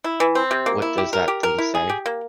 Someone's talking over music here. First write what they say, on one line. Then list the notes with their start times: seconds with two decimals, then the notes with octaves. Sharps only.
What does that thing say?
0.04 E4
0.20 E3
0.35 C4
0.51 C3
0.66 A#3
0.82 E4
0.98 G4
1.13 A#4
1.28 G4
1.43 A#4
1.58 E4
1.75 G#4
1.89 G4
2.06 A#3